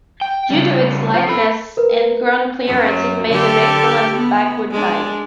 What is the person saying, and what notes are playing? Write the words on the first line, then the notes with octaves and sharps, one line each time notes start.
Due to its lightness and ground clearance it made an excellent backwoods bike.
G5
C#3 G3
F4 C5
A4 B5
A#4 B4
F#2 F#3
D3 G4 A4
B3
G#3 D4